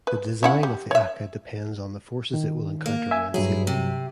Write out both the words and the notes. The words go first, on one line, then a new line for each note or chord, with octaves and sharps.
The design of the aka depends on the forces it will encounter when sailing.
B4
C#4 E4 F#5
G3
C#5 E5
D#3
A#3
E5 G#5
G2 F#3 E4 G#4
C3